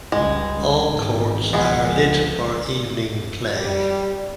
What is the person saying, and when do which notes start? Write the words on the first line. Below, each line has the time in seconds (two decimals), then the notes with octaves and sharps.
All courts are lit for evening play.
0.12 C#2 G3 G#3
0.91 G#1 B2 D#3
1.53 C#2 F3 G#3 B3 G#4
3.56 G3